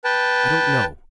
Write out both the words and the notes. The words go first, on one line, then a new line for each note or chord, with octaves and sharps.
I don't know.
B4 G5 A5